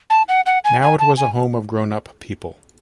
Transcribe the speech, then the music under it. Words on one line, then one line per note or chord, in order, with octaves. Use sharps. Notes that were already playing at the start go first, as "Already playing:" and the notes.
Now it was a home of grown-up people.
A5
F#5
F#5
G#5
G#5
A5
G#5